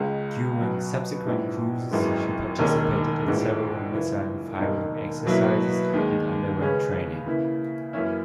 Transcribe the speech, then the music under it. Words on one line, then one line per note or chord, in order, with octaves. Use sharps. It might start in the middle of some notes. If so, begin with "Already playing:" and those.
During subsequent cruises, she participated in several missile firing exercises and underwent training.
Already playing: C#2 C#3 G#3
B2 F#3 C#4
A#1 G#2 E3
G#1 F#2 E3 G#3
E1 D#2 D#3 G#3 C#4
A#1 G#2 E3 G#3
F#2 C#3 E3
E1 D#2 D#3 A#3 D#4
B2 F#3 A#3 E4
D#2 D#3 G#3
C#3 G#3 C#4 G#4 B4
C#3 E3 A#3 E4
F#2 E3 A#3 C#4 E4